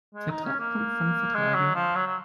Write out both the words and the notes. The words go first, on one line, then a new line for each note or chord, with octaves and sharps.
Vertrag kommt von vertragen.
G#3
D#4
C#4
A#3
G#3
F#3
F3
F#3
F#3